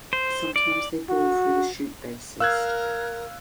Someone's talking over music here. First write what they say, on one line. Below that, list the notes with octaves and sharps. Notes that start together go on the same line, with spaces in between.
Sometimes they bore through the shoot bases.
C5
D5
F#4
A#4 F5 E6 F#6 G#6